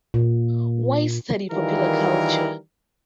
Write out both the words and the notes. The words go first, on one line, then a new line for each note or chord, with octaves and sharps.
Why Study Popular Culture?
A#2
D#3 E3 G3 F4 G#4 A#4